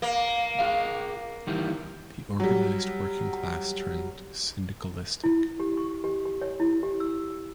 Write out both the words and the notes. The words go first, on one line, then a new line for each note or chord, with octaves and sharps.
The organized working class turned syndicalistic.
A#3
F4 G#4 F5
D#3 E3 G3
F#3 G3
E4
G4
C#6
G4
G4
C#5
E4
G4
E6